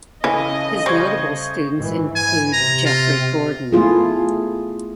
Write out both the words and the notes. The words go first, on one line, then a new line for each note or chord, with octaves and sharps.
His notable students include Geoffrey Gordon.
C#3 E3 A3 C#4 D#5
G3 C5 C#6 G#6
G#2 E3
G#5
C3 A#5
F4
A3 B3 E4 F4 G#4